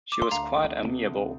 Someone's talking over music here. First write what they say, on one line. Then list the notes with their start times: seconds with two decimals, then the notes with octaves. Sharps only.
She was quite amiable.
0.12 D6
0.22 C6
0.31 D2 F5 A#5
0.57 D2
0.82 C3
1.07 D2